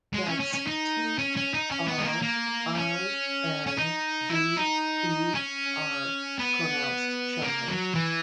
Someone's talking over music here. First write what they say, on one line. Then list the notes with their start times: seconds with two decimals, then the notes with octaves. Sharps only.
That's T-R-I-N-D-E-R, pronounced Chumley.
0.14 G#3
0.28 C#4
0.40 C#4
0.54 C#4
0.67 D#4
1.19 C#4
1.37 C#4
1.54 D#4
1.71 C#4
1.88 B3
1.99 G#3
2.05 A#3
2.22 A#3
2.75 C#4
3.67 C#4
3.78 D#4
4.30 E4
4.57 D#4
5.35 C#4
6.39 B3
7.42 A#3
7.68 F#3
7.95 E3